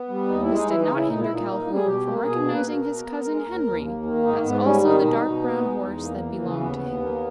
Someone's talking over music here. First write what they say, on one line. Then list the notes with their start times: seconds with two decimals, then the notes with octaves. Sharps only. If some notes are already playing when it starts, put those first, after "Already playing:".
This did not hinder Calhoun from recognising his cousin Henry, as also the dark brown horse that belonged to him.
Already playing: B3
0.09 G3
0.28 D#2 D#4
0.42 E4
0.49 G#3
0.55 D#4
0.68 E3 E4
0.81 D#4
0.88 C#3
0.94 E4
1.07 A#2 D#4
1.20 E4
1.27 A#2
1.34 D#4
1.47 A#3
1.67 G3
1.74 G#4
1.86 B2 G4
2.07 A#3
2.25 B2 G#4
2.46 A#3
2.54 B4
2.65 B2 A#4
2.85 B2
3.05 B3
3.25 G#3
3.44 D#2
3.63 D#2
3.84 A#3
4.03 D#3
4.23 G#2 D#4
4.42 G#2 B3
4.63 G3 C#4
4.82 D#3 D#4
5.02 B2 D#4
5.21 B2
5.42 B3
5.61 G#3
5.82 E2
6.01 A#3
6.20 E3
6.40 C#3
6.60 D#2 B3
6.80 D#2
7.00 A#3